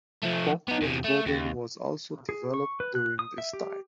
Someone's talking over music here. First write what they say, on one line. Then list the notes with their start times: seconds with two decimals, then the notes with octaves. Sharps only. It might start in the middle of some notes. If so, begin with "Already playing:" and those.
Oakwood-Vaughan was also developed during this time.
0.23 F3 A3
0.68 B3 D#4
0.82 E2 C3
1.04 A3
1.26 D#2
2.29 G#4
2.54 C#6
2.80 B4
2.95 F#6
3.19 D#6
3.38 E5
3.53 G4